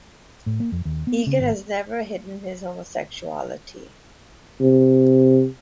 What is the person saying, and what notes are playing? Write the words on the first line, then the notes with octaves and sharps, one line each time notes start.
Egan has never hidden his homosexuality.
A2
A#3
F2
D#2
B3
C#3
G#1
C3